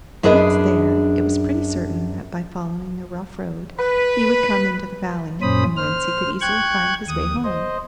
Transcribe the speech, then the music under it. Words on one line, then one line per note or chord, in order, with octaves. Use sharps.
Once there, it was pretty certain that by following the rough road he would come into the valley, from whence he could easily find his way home.
F#2 D4 G#4 B4 D#5
B4
F#2 A#2 C#4 C5 B5 D#6
C5 F6
G5 C#6 F#6 G#6
D#2 D#6
C5 D#5